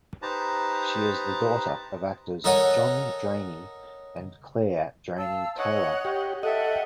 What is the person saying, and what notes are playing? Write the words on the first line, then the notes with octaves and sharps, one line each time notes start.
She is the daughter of actors John Drainie and Claire Drainie Taylor.
D#4 G4 B4 C5 A5 A#5
D#4 A4 A#4 C#5 F#5 G#5
F5 A5 E6
C#5 D#5 F#5
G4
A4 D#5 E5 F#5 G5